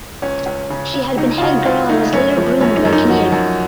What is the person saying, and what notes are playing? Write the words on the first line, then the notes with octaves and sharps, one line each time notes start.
She had been head girl and was later groomed by Kinnear.
C#2 C#4
C#2
C#3
C#3
C#2 D#4
F4
C#3 F#4
C#2 F4
A3 D#4
F#2 C#4
F3
F#2 C#4
D#4
F#2
D#4
F3 F#4
F#2